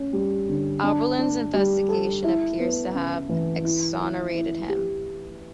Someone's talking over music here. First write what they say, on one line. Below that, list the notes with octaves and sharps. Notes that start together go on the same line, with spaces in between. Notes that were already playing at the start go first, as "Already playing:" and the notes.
Abberline's investigation appears to have exonerated him.
Already playing: C#4
G3
D3
D4
D4
G3
A4
E4
B3
C#3
E3
E4
E4
E4
G4